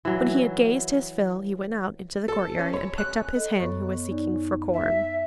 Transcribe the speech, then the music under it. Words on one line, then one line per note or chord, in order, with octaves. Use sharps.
When he had gazed his fill he went out into the courtyard and picked up his hen who was seeking for corn.
E3 F#3
A4
C#4
C#5
F#6
A4 D#5
F#2 B3 C#5 C#6
D#4 D5
E5